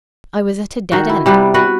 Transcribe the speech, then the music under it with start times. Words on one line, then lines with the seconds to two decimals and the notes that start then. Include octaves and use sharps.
I was at a dead end.
0.92 D#3 F#4
1.09 E4
1.26 C3 G3 B3 F#5
1.54 F#4 B4 F#5